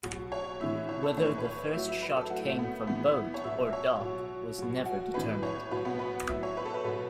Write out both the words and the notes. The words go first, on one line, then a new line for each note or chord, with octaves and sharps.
Whether the first shot came from boat or dock was never determined.
B2 F#3
C#5
A2 E3 E5
C#5
A4
A2 E3 C#5
B4
C#5
A2 F#3 E5
E5
B4
A4
A2 F#3 F#4
A3
B3
A2 E3 B3
E4
C#5
B2 F#3 E5
E5
C#5
B2 F#3
B2 F#3
F#4
A2 E3 B4
C#5
B2 F#3 B4
B3
B4
A2 F#3 E5
C#5
B4
A4
B4
B2 F#3 B4